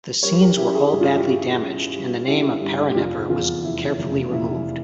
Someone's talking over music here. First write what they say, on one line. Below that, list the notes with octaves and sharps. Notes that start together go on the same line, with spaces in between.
The scenes were all badly damaged and the name of Parennefer was carefully removed.
G3 A#4 C#5
G4 A#4
C#4 E4 G4
G#4
G2 G4
F4
E4 G4
G3
C#4
G3
C#4 E4 G4
G2
G4
F1 F4
E2 F4
F1 E4
F1
F1 E4